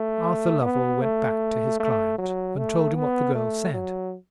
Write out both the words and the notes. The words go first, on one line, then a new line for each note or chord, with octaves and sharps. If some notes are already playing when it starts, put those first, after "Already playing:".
Arthur Lovell went back to his client, and told him what the girl said.
Already playing: A3
B3
A3
A3
F#3
A3
B3
A3
F#3